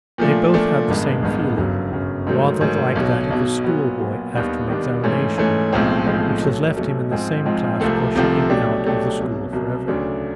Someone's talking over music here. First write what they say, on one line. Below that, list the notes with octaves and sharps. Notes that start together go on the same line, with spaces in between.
They both had the same feeling, rather like that of a schoolboy after an examination, which has left him in the same class or shut him out of the school forever.
A#2 F3 A3 D4
A#2 F3 A3 D4
A1 G2 D#3 G#3 B3
A1 G2 D#3 G#3 B3
G1 F#2 C#3 F#3
G1 F#2 C#3 F#3
G#2 D#3 F#3 A3
G#2 D#3 F#3 A3
B1 B2 F#3
B1 B2 F#3
A#2 F#3 B3
A#2 F#3 B3
D#2 D#3 G3 B3 D4
D#2 D#3 G3 B3 D4
G#2 E3 A3 C#4
G#2 E3 A3 C#4
B1 A2 F3 G#3 C4
B1 A2 F3 G#3 C4
B1 B2 F#3 A3
B1 B2 F#3 A3
G#2 F3 G#3 C4
G#2 F3 G#3 C4
C2 C3 F3 A3 C4
C2 C3 F3 A3 C4
B2 F#3 A3 D4 G4
B2 F#3 A3 D4 G4
C2 B2 F#3
C2 B2 F#3
D2 C#3 F#3 A3 D4